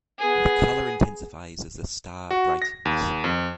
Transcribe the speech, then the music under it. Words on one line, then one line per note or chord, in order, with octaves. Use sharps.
The color intensifies as the star brightens.
B3 G#4
F#4
A#6
D#2
F2